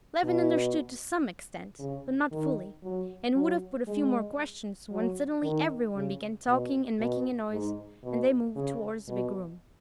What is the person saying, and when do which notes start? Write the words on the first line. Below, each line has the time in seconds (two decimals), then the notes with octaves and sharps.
Levin understood to some extent, but not fully, and would have put a few more questions, when suddenly everyone began talking and making a noise and they moved towards the big room.
0.23 B2
1.79 C#3
2.32 D#3
2.83 F#3
3.35 F#3
3.87 G#3
4.91 F#3
5.43 D#3
5.95 C#3
6.48 B2
7.00 B2
7.51 G#2
8.03 B2
8.55 C#3
9.08 B2